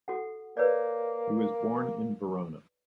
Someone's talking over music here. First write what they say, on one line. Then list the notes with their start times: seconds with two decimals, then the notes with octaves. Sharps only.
He was born in Verona.
0.08 F#4 A4 F#5
0.57 A#3 B4 C#5 D5